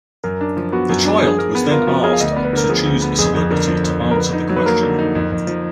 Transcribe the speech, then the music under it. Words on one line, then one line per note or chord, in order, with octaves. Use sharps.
The child was then asked to choose a celebrity to answer the question.
F#2 A#4
D4
F3
B3 F#4
F#2
D4
F3 G#4
A#4
B3
F4 A#4
F3 F#4
G#4 A#4
F5
D2 D#5
B3 D5
B4
D3 A#4
A#4
F3 G#4
D2
B3
F2 G#4
F2 G#4
D3 A#4
F3
F2
F2
A#4
D3 B4
D#4
F#3
B4
A#3 A#4
D3
D#4
F2
F2
F3